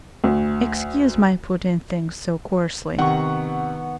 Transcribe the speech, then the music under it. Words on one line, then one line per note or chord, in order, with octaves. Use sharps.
Excuse my putting things so coarsely.
D2
C3 D#3 B3 F#5 C#6